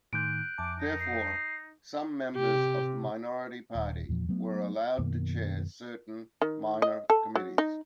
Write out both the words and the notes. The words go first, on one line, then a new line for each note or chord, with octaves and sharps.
Therefore, some members of the minority party were allowed to chair certain minor committees.
A2 D#3 F#6 G6 D7
F2 A5 D6
D#4
C7
C3 G4
D#1
E2 A#2 F3
F#3 A3 B3
F#2 B2 D#3 A#3
D#3
D#5
A4
F#3
D#4